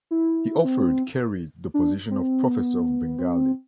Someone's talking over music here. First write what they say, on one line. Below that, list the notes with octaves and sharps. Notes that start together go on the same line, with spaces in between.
He offered Carey the position of professor of Bengali.
E4
C4
D4
C4
B3
C4